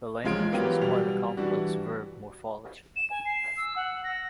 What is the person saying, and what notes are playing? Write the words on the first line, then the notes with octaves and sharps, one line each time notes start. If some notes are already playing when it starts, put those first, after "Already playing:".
The language has a quite complex verb morphology.
A1 F3 G#3 F4 G#6 D7
E3 F#3 B3 F4 G4 A#4
B2 G3 F7
E3 G3 D4 F#4
E7
G#5
C7
E6
F#5
A#6